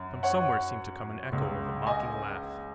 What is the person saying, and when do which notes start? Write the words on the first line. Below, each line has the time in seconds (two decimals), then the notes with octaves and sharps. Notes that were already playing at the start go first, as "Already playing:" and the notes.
From somewhere seemed to come an echo of a mocking laugh.
Already playing: F#2
0.23 C#5 F#5
1.32 C#2 C#3
1.87 D#5 G#5